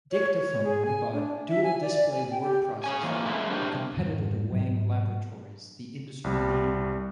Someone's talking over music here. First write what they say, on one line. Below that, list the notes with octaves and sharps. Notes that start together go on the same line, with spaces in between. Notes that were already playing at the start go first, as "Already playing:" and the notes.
Dictaphone bought Dual Display Word Processor, a competitor to Wang Laboratories, the industry leader.
C#5
C#5
G#4
G#5
D4
E5
G#5
D5
G#5
G5
G4
G#4 C#5 G#5
E3 F3 A#3
F#2 G#3 A3 E4
G3 D4 G4 A#4 C5
F2 G#2 D#3 G3
G#2 F#3
C2 G3